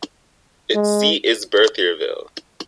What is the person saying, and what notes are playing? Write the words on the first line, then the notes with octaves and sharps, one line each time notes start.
Its seat is Berthierville.
G#3